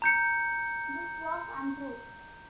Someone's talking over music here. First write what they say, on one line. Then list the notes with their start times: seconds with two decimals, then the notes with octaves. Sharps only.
This was untrue.
0.02 A#5 G6 C#7